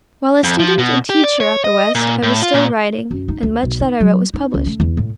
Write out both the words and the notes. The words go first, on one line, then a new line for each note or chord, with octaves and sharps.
While a student and teacher at the West I was still writing, and much that I wrote was published.
F2
F3
B2
G4
D5
C#5
D#5
A#2
A2
F4
A#2
F#2
D#4
D2
B1
D#4
F#3
D#4
C#2
A3
E2
A2